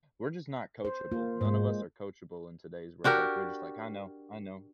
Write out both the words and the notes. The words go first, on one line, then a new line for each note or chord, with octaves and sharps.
we're just not coachable, none of us are coachable in today's world, like, we're just like, "I know, I know,"
C5
A#3 F4
G#2 G#3 C5
D4 F#4 G4 A#4